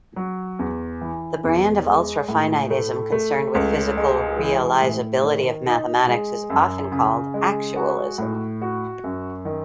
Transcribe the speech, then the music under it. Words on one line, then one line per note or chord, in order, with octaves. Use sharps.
The brand of ultrafinitism concerned with physical realizability of mathematics is often called actualism.
F#3
E2
E3
E2
G#3
A2
A3
A3
C#2
G#3
E3
A2
D#3
D#4
G#3
F#2
C#3
G#3
F#4
A2
F#4
F#2
D#3